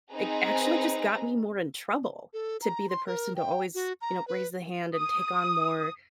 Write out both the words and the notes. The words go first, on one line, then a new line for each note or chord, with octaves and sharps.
It actually just got me more in trouble to be the person to always, you know, raise the hand and take on more.
C4 D#4 G#4 B4 A#5
A4
A#5
C6
A#4
G5
F#4
A#5
B4
D#6